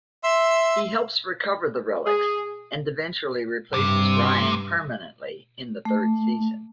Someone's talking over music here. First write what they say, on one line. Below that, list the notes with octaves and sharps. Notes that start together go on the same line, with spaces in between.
He helps recover the relics and eventually replaces Ryan permanently in the third season.
E5 C6 E6
G#4
G2 C3
A3